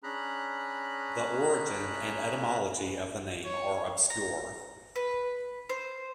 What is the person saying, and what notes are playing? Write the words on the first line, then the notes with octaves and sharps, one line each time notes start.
The origin and etymology of the name are obscure.
C#4 D4 G#4 A#5 B5 F#6
C#5
A#5
B4
C5